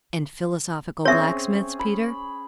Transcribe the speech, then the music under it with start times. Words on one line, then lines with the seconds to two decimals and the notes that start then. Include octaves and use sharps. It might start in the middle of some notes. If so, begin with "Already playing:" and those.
"And philosophical blacksmiths, Peter?"
1.05 C4 C#4 G#4 C#5 E5
1.79 B5